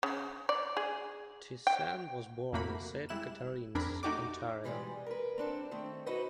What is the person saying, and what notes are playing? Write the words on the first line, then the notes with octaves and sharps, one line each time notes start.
Thiessen was born in Saint Catharines, Ontario.
C#3
D5
G#4
G5
F2 C3 A3 A#3 F#4 B5
G3 G#3 E4 F#6 E7
F2 C4 D4 G#4 A#4 B5
A3 D#4 F#4 G4 D5 D6
G#2 E3 F3 G3 G#3 G4
A#4 B4
C4 D4 A4
D#3 A3 C4
D#4 E4 F#4 B4 C5 D#5